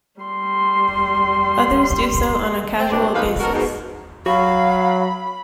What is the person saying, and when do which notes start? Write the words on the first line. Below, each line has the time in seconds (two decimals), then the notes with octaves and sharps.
Others do so on a casual basis.
0.21 G3 C6
2.78 C4
2.91 B2 G3 C4 D4
3.13 G#2 B2 D#3 B4 C5 F5
3.25 F2
3.39 B3 F#4 A4 A#4
3.54 G#2 B2
4.26 F#3 F#4 F5 B5